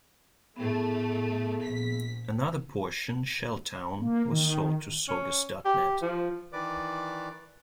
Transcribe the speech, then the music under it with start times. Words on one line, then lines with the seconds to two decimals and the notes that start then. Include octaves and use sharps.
Another portion, ShellTown, was sold to Saugus dot net.
0.56 A2 A3 B3 G#4
1.63 A#1 B6
4.02 A#3
4.31 D#3
5.08 C#4
5.65 G4
6.02 F3
6.53 D#3 E3 B4 D5 D6